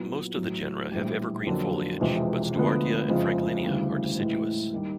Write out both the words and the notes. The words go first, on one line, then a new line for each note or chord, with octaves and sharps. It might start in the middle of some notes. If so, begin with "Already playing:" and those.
Most of the genera have evergreen foliage, but "Stewartia" and "Franklinia" are deciduous.
Already playing: A#2 F#3 B3 E4
A1 A2 F#3
A#1 A2 E3 G3
F2 D3 F#3 A#3 D4
E1 E2 C3 F3 G#3
D2 D3 F3 G#3 B3
F#1 F2 C#3 F3 G#3
D2 C#3 E3 G3
A1 A2 E3 G#3
D#2 D#3 G3